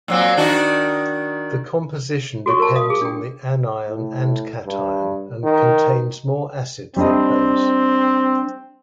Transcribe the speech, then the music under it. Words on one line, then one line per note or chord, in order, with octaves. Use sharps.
This composition depends on the anion and cation and contains more acid than base.
A#2 F#3 C4
D#3 D4 F#4
F#4 A4 C#5 C#6
A#4 A5
F5 D#6
G#4 A5
D4 G5
A2
G2
D#3
G3 C4 D4 D#5